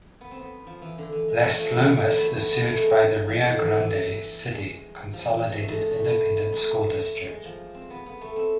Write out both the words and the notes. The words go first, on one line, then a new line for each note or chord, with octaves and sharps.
Las Lomas is served by the Rio Grande City Consolidated Independent School District.
B3
C4
B3
F3
E3
D3
E3
G#3
A3
F3
E3
D3
E3
B3
A3
B3
B3
A3
G#3
F3
D3
E3
D3
E3
E3
G#3
F3
E3
G#3
A3
G#3
A3
B3
B3
A3
G#3
F3
C4
B3
B3
A3
C4